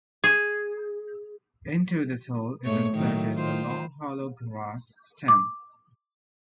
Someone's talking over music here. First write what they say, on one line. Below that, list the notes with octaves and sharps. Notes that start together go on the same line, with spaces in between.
Into this hole is inserted a long hollow grass stem.
G#4
G#2 A3 C#5
A2 D#3 F#3
D#3 F4 C5
D6